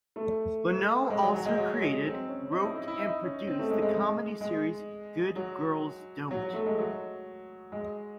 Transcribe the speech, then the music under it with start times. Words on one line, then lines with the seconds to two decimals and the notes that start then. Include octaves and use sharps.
Lonow also created, wrote and produced the comedy series "Good Girls Don't".
0.16 A3
1.10 G#3
1.22 F#3
1.34 F#3
1.45 G#3
1.57 F#3
1.81 G#3
2.05 C4
2.28 C#4
2.52 D#4
2.63 E4
2.75 D#4
2.88 E4
2.99 D#4
3.23 C#4
3.47 C4
3.59 A3
3.70 G#3
3.82 G#3
3.93 G#3
4.41 G#3
5.36 F#3
6.31 F#3
6.43 F#3
6.54 A3
6.66 G#3
6.78 F#3
7.72 G#3